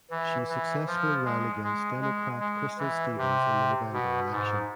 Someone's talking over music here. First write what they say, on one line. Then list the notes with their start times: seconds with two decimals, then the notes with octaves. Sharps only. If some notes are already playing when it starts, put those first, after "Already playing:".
She successfully ran against Democrat Crystal Stevens in the November election.
0.11 E3
0.49 E3
0.87 F3
1.25 G#3
1.64 G#3
2.01 G#3
2.40 G#3
2.78 E3
3.17 C3
3.93 B2
4.31 G#2